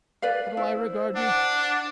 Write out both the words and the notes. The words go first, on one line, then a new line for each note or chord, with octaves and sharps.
How do I regard you?
B4 D5 F5
E4 C5
D4 F#5